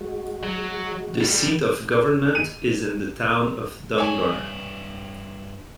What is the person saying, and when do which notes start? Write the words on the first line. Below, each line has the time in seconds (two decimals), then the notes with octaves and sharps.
The seat of government is in the town of Donggar.
0.01 G#3 F#4
0.43 F#3
1.21 A2 G3
2.35 D#7
3.98 G2 E4 C#5 G#5